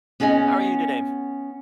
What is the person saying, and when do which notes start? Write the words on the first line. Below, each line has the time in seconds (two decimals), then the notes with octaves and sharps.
How are you today?
0.20 B3 C#4 G#4 D#5 G#5